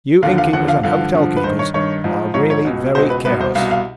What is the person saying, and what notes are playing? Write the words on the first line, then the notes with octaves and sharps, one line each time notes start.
You innkeepers and hotel-keepers are really very careless.
D#2 D3 F3 F5
F5
D#2 D3 F3 F#5
F5
G2 D3 F3 F5
G2 D3 F3
B4
G2 D#3 C5
C#5
G2 D#3 C#5
G#2 F3
G#2 F3 C#5
C#5
C#2 B2
C#2 B2 C5
B4
C2 B2 B4
C5
C2 B2 F5
F5